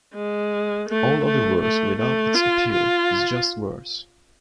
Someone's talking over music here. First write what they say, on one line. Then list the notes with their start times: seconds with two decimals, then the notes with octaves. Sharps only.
All other verse, without this appeal, is just verse.
0.15 G#3
0.89 A3
1.24 A3
1.61 A3
1.99 A3
2.35 F4
2.73 F4